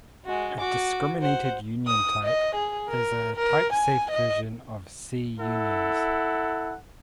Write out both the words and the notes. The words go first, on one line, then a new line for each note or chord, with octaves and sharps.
A discriminated union type is a type-safe version of C unions.
G#3 F#4
F#4 D6
C5 F#5
D#6
D#5
G#4
A#4
A#4
G#5
D#5
E4 A4 F#5